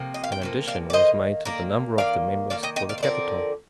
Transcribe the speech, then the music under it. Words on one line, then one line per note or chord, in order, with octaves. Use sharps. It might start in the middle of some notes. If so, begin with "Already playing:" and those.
An addition was made to the number of the members for the capital.
Already playing: C3 F3 A#3
D#5
F5
G5
C3 F3 A#3
D5 F5
D5
D#3 A#3 C5 D#5
D#3 A#3 A#4 D5
D#3 A#3 D5 F5
D#3 A#3 D5 F5
D#5 G5
D#5 G5
D5 F5
C5
D3 F3 C4 A#4 D5